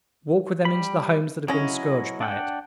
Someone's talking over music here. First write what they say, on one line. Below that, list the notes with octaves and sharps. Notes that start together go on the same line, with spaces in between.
Walk with them into the homes that have been scourged by it.
G3 B5
C#3 F#3 C#4 E4 D#5
D4 F#5 G5